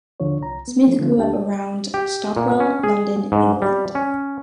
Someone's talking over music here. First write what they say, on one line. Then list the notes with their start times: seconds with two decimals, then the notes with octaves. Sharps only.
Smith grew up around Stockwell, London, England.
0.20 D#2 D3 F3 F4 C#5
0.41 C2 A#5
0.68 B3
0.87 F3 A3 B3
0.99 D3 F3 A3 C4 F4
1.17 D2 D4 G4 G5 A5
1.94 G4
2.37 A#2
2.60 C#4
2.83 G#4
3.32 G#2
3.62 G3
3.95 C#4